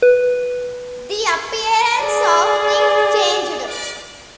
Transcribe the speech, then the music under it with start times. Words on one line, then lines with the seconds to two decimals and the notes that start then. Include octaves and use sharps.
The appearance of things changed.
0.02 B4
2.01 G#4 D5